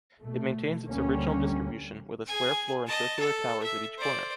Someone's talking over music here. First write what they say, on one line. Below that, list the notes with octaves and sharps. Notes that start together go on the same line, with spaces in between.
It maintains its original distribution, with a square floor and circular towers at each corner.
B2 A3
D2 D3 G3 A#3 C#4
G#4 G#5
D#5 A5
A4
E5
C5 D5